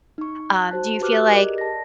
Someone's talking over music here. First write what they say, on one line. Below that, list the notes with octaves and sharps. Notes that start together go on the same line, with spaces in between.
um Do you feel like
D#4 C#6
F#6
F#4 C5 A5
F#4 G4 B4 D6 F6 F#6
G4 G#4 A#4 D5 D#5
A5 A#6